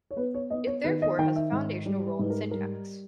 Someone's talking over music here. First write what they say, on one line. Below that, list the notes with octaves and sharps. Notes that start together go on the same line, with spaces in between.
It therefore has a foundational role in syntax.
C#5
B3 B4
C#5
B3 D#5
C#5
D#3 B4
D#5
D#3 G5
E5
G#2
G3
G#2 B4
A#4
G3 A#4